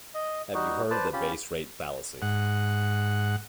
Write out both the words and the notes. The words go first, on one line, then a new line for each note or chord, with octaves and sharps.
Have you heard of the base rate fallacy?
D#5
G3 D#4 F#4
B4 C5 D5 A5
C#4 F4 G4 B5
G#2 F#5